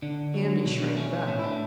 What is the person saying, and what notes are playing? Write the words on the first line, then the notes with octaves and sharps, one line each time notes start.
Andy shrank back.
D3 D4
F#3
B2 D4
A3 C#4
A2 C#4
E4
D4